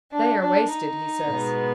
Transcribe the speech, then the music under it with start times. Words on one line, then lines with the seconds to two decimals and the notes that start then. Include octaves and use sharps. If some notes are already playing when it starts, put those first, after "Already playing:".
"They are wasted, he says."
0.11 D4
0.41 D4
0.70 D#4
1.28 B2 G#3 B3